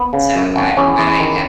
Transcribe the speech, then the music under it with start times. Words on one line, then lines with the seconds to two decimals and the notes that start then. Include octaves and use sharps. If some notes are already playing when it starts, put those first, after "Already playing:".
so I but I have
Already playing: B3
0.13 C#3
0.35 F#2
0.56 G#1
0.77 E2 C#4
0.98 E2
1.20 D#3